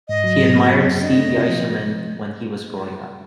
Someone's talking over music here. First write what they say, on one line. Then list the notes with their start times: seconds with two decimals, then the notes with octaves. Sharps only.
He admired Steve Yzerman when he was growing up.
0.08 G#2 D#5
0.24 F#3
0.39 G#2
0.55 A#3
0.70 F#3
0.86 F#2
1.02 D4 D#5
1.17 A3
1.33 C3
1.49 F3